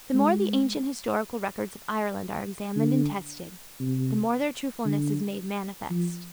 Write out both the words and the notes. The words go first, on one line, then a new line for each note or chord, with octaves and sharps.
The more the ancient historical records of Ireland are examined and tested, the more their truthfulness is made manifest.
G#3
D3
C3
D3
F3